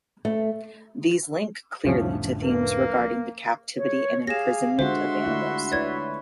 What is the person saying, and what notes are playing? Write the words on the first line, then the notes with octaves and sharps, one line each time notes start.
These link clearly to themes regarding the captivity and imprisonment of animals.
A3
C2 F2 A2 D3 F3 C#4
A#3 B4
C#5
G4 G#4 F5 A#6 E7
D3 G#3 F4 F#4 C5 E5 C6
A3 D4 E4
E4 B4 C#5 D5 G#6